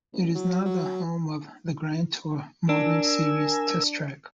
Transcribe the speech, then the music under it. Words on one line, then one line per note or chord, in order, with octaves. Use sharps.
It is now the home of "The Grand Tour" motoring series' test track.
A1
F#3
F#3
D4 A#4 G#5 E6